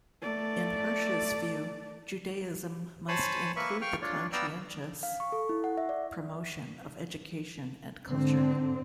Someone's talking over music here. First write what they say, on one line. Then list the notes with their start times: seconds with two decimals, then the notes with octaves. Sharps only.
In Hirsch's view, Judaism must "include the conscientious promotion of education and culture".
0.22 A3 D5
3.08 C5 C#5 G#5 A5 B5
3.56 A#3 B4 E5 C#6
3.82 F5 G5 C#6 F6
4.02 D4 F4 C#5 D5
4.32 B3 D5 F5 G5 A#5 E6
5.03 F5
5.20 C#6
5.32 A4
5.49 E4
5.64 F#5
5.78 E5
5.89 D5
8.09 G#2 D3 C4